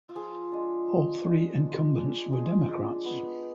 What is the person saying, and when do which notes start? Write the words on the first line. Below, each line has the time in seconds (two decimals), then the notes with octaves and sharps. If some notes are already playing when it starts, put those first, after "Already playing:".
All three incumbents were Democrats.
0.09 F4
0.15 F3 G#4
0.52 G#3 D4
0.88 F3
1.24 G#3 D4
1.60 F3
1.96 G#3 D4
2.32 F3 G#4
2.69 G#3 D4
3.05 B3